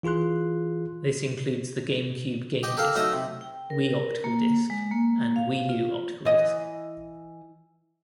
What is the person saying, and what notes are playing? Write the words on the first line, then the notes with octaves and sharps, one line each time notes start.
This includes the GameCube Game Disc, Wii Optical Disc, and Wii U Optical Disc.
E3 F4 G#4 C6 F#6
G4 D#5 G5
G4 A4 A#4 F5
F#3 A3 D#4 E5 A#5 D#6
C3
G5
A#4
A#3
G#3
A#3
F5
F4
E3 D#5